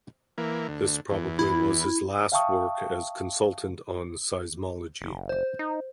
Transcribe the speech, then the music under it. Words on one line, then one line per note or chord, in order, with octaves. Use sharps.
This probably was his last work as consultant on seismology.
E3 A#3
D2
E2
E4
E5 F5 G5 A5 C#6 D#6
F#1
C5
D#4